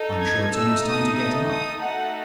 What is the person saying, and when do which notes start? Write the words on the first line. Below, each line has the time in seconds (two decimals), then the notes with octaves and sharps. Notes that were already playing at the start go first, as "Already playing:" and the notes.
I'm sure it's almost time to get up.
Already playing: D#4 A4
0.21 G#6
0.53 A3 D#4 A4 E6
0.86 D#6
1.17 D#6
1.49 D#6
1.81 A3 D#4 F#4 A4 F#5